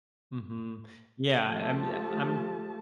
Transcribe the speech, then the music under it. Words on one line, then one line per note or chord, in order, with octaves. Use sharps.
Mhm. Yeah, um, yeah, um
F3 A3 G4 A5